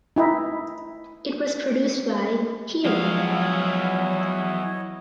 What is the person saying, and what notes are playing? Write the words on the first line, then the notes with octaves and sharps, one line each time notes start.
It was produced by Here!
D#4 E4
E2 F3 F#3 G#3 E4 C#5 D#5 F5